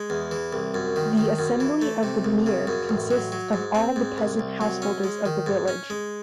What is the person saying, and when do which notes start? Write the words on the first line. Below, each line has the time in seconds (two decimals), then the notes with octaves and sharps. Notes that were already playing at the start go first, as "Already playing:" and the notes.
The assembly of the mir consists of all the peasant householders of the village.
Already playing: G#3
0.10 E2
0.31 E3
0.53 C2
0.74 F#2
0.96 D#3
1.17 D#3
1.39 F#2
1.60 E3
1.82 A3
2.03 C3
2.24 C2
2.46 C#3
2.67 F#2
2.89 A1
3.11 F#3
3.32 F#3
3.53 G#2
3.75 C4
3.96 G#2
4.18 C2
4.39 C2
4.61 F#3
4.82 C#4
5.04 G#3
5.26 D#3
5.46 G#2
5.68 C#4
5.90 G#3